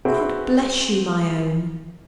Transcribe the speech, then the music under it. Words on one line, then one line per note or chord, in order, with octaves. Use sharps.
"God bless you, my own!"
C4 F#4 G#4 B4 E5